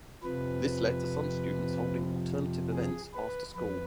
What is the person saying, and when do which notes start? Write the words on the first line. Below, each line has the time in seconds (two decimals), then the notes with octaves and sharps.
This led to some students holding alternative events after school.
0.23 F2 C3 F3 B4
2.72 G#4
3.14 B4
3.55 F2 B4